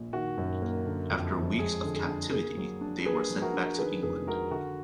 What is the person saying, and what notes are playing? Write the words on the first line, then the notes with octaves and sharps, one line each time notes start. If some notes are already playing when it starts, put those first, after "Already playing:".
After five weeks of captivity, they were sent back to England.
Already playing: A#1
D#3 F#4
F#2
A#3
D3
F2
F3
G#3 G#4
D3
G#4
D4
A#3 G#4
F#3
D4
A#3 G#4 B4
F3
F#4 A#4
D4
D#3 G#4 B4
F2 G#4 B4
G#3 F#4 A#4
D3 F#4